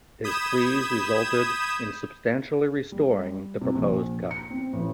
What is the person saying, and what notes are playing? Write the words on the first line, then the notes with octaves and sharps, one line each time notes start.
His pleas resulted in substantially restoring the proposed cuts.
B5 D#6 G6 G#6 E7
G3
C3
A#1
C#7
C4
A1